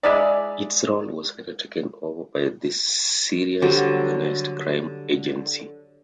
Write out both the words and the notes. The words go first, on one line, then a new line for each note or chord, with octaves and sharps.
Its role was later taken over by the Serious Organised Crime Agency.
G#3 E4 D5
D3 F#3 G3 C5